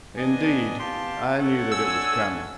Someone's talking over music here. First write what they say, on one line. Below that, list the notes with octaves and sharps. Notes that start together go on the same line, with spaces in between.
"Indeed, I knew that it was coming."
E3 B3 D4 D#5 G#5
B3 G4 F5 A5 C6
A4 C#5 F#5
D4 G#5 E6